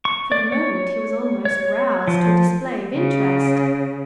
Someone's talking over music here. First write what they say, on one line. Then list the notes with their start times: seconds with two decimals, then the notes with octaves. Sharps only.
For the moment he was almost roused to a display of interest.
0.05 C#6
0.32 D5
0.52 C#5
1.45 C#5
2.08 F3
2.95 C#3